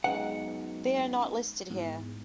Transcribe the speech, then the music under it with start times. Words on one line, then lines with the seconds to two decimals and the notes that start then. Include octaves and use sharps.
They are not listed here.
0.04 F#2 G#3 B3 D#4 F#5
1.70 E2 G#2